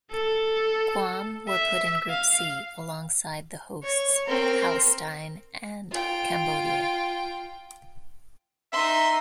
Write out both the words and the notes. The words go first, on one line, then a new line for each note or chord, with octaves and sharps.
Guam were put in Group C alongside the hosts, Palestine and Cambodia.
A4
E5
F5
C#5
C4 A#4
F4 G5
D#4 E5 C6